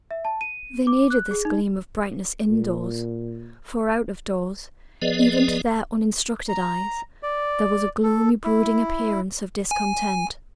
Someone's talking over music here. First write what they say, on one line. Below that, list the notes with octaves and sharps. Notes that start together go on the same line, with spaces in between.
They needed this gleam of brightness in-doors, for out-of-doors, even to their uninstructed eyes, there was a gloomy brooding appearance of discontent.
E5
A5
D#7
D6
F#6
G#4
D#4
A#2
F3 B3 G#4 B4 D5 D#5
A#5
D5
A4
E4
G#5